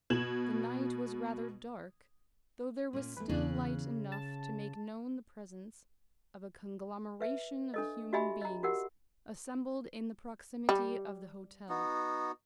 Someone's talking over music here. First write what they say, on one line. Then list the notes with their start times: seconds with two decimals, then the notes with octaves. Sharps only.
The night was rather dark, though there was still light enough to make known the presence of a conglomeration of human beings, assembled in the proximity of the hotel.
0.10 B2 G#6 E7 F#7
2.93 A#2 A#3 C#4
3.17 E2 A3 B4
3.29 E2 C#3 F#6
4.12 A5
7.21 B4 E5
7.74 D4 A4 D#5
8.13 F#4 G4 D#5 E5 G#5 B5
8.41 D#5 A#5
8.63 F#4 G4 A#4 F#5
10.69 G3
11.69 B3 D#4 F#4